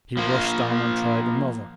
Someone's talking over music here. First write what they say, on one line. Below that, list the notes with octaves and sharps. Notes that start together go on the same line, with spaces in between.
He rushed on and tried another.
F3 A#3